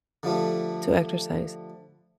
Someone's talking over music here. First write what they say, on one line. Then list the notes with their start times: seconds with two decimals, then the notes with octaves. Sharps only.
to exercise?
0.23 D3 F3 G3 A3